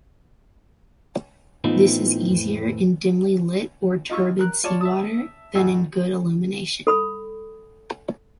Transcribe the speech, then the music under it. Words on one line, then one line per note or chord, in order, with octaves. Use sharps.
This is easier in dimly-lit or turbid seawater than in good illumination.
A2 E3 B3 C4 D#4 F4
F2
D#4 F4 C#6 E6
A#4 F#6
F4 C#5 D5 A5
E5 A5 D#6
A1 F2 F#4 D#5 G#5 E6
A4 B5 D#6